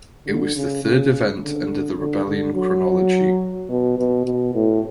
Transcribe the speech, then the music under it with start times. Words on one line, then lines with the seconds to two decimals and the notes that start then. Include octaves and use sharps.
It was the third event under the Rebellion chronology.
0.26 D3
0.56 C#3
0.83 C#3
1.41 D3
1.98 D3
2.26 D3
2.54 F#3
3.69 B2
3.98 B2
4.25 B2
4.54 A2